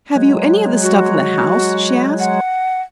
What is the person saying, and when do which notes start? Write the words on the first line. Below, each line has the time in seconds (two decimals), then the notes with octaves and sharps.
"Have you any of the stuff in the house?" she asked.
0.16 F#3 G#3
0.83 F#4
2.20 F#5